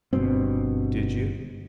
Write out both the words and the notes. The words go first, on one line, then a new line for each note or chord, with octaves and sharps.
"Did you?"
G1 G2 B2 C4